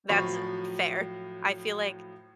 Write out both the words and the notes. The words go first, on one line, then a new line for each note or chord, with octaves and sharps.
That's fair. I feel like
A2 F3 F#3 F5 B5 C#6